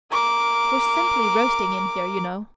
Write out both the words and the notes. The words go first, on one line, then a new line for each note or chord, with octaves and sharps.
"We're simply roasting in here, you know."
A#4 D6